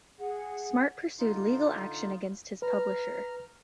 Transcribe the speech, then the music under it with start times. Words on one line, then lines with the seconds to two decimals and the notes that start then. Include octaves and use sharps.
Smart pursued legal action against his publisher.
0.19 G#4 F#5
1.19 D3 D#4 F4
2.62 B4 A#5 F6